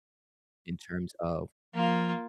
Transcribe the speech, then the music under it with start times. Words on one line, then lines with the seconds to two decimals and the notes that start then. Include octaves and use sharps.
in terms of,
1.74 F3 A#3 F4